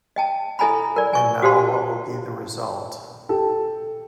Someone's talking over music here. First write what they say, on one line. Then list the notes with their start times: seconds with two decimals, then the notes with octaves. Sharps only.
And now what will be the result?
0.16 D#5 G5 A5
0.59 E4 A4 D#5 G#5 A#5 B5
0.96 A#4 D5
1.13 G#5 C#6
1.42 F#4 G4 C5 F5 A5 C6
3.29 G4 A4